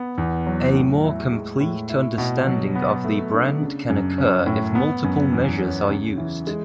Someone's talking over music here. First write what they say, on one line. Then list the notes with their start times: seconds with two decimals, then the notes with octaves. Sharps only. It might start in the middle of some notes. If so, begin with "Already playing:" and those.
A more complete understanding of the brand can occur if multiple measures are used.
Already playing: B3
0.18 E2
0.47 F#3
0.75 A2
1.04 E4
1.33 G#3
1.60 A2
1.89 E4
2.18 B2
2.47 F#3
2.75 B3
3.04 A3
3.33 D4
3.61 C#3
3.89 F#2
4.18 C#4
4.46 A2
4.75 B3
5.04 F#2
5.32 E2
5.61 C#4
5.90 C#3
6.18 E3
6.47 G#3